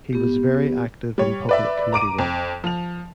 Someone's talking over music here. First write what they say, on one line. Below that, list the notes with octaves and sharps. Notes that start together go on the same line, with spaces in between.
He was very active in public committee work.
B3 G4
G3 C#5
B4 D5 E5
A#5 D6 D7 D#7
F2
F3 F7